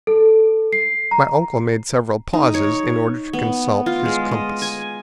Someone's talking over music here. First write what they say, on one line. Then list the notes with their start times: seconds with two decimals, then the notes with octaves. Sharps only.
My uncle made several pauses in order to consult his compass.
0.07 A4
0.73 C7
1.11 A#5
2.33 D#4
2.54 C#5
3.33 B3
3.86 F4
4.06 G#3
4.31 D#5
4.62 G#5